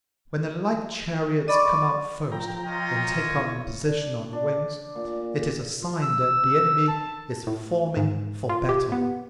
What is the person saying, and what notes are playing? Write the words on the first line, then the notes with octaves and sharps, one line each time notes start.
When the light chariots come out first and take up a position on the wings, it is a sign that the enemy is forming for battle.
D5 D#5 B5 C#6
F3 G5 A#5
F4 C#5 D#5
B2 E4
D4
D4
A#2
F4
E6
A5
A2
G#2
F4
G4
B3